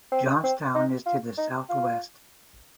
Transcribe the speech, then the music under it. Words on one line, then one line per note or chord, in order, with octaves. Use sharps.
Johnstown is to the southwest.
C4
C4
D#4
F4
D#4
F4